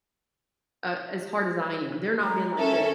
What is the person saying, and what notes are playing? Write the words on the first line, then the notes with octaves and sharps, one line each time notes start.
uh, as hard as I am, they're not being like, "Well,
G#3 A#5
C#4 A4 A#4 E5